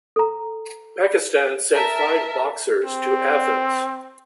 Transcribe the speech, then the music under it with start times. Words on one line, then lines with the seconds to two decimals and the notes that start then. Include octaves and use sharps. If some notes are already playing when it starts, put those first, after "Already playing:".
Pakistan sent five boxers to Athens.
0.16 A4 A#5
1.73 A#4 E5 A5
2.84 C4